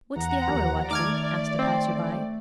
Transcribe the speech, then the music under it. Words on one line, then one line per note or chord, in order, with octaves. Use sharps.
"What's the hour, watchman?" asked a passer-by.
E2 F#5 A#5
D#2 F3
D#3 A3 D5 D6 F6 G#6
C4